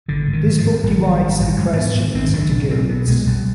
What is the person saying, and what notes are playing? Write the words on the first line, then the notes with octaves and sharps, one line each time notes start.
This book divides the questions into guilds.
G#1 D3
G#2
D#3
G#2
F3
G#2
G#1 G3
G#1
G#2
G#1
G#2 G#3
G#2 B3
G#2 B3
G#1 C4
B1 D4
B1 D4
B1 C4
B2 B3
B1 G#3
B1 G3